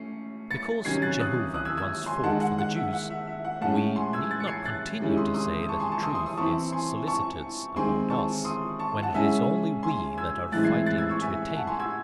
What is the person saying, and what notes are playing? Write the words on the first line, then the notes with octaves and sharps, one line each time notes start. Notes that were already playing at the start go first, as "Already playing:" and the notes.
Because Jehovah once fought for the Jews, we need not continue to say that the truth is solicitous about us, when it is only we that are fighting to attain it.
Already playing: A3 C#4 C7 C#7
A6 C#7
C3 D#3 F#3 C#4 G#6 C7
F#6 A6
D#6 F#6
D#6 F#6
E6 G#6
E6 G#6
G#5 C6
D#3 G#3 D#4 F#5 A5
F#5
F#5
E5
F#5
E5
E5
F#5
A2 G#3 C#4 F#5 A5
G#5 C6
E6 G#6
F#6 A6
C#7
G#6 C7
F#6 A6
C3 D#3 G#3 C#4 E4
C6 D#6
C6 D#6
D#6
A5 C#6
G#5 C6
A5 C#6
C6 D#6
C6 D#6
C6 D#6
E3 C4 E4 A5 C#6
G#5 C6
A5 C#6
D#3 G#3 C4 G#5 C6
A5 C#6
C6 D#6
A5 C#6
F#5 A5
C#3 G#3 C#4 E4 E5 G#5
G#5 C6
E6 G#6
A2 E3 G#3 C4 E4 F#6 A6
G#6 C7
F#6 A6
E6 G#6
C#6 E6
E5 G#5
F#5 A5
G#5 C6
E6 G#6